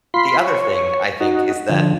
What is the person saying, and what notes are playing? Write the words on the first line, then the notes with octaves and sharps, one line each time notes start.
The other thing I think is that
F4 B5 C6
C#5
D#4 F#4
D3 F3